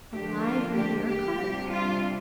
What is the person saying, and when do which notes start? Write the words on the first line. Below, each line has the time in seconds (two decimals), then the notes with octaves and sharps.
A live manure-cart?
0.13 D3 F3 A#3 D4 G4
0.44 F4
0.75 G4
1.07 G4
1.38 C3 G3 D4
1.70 F4